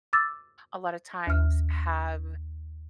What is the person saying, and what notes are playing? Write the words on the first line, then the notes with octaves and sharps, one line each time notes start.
a lotta times, have
D6 E6 A6
D#2 F6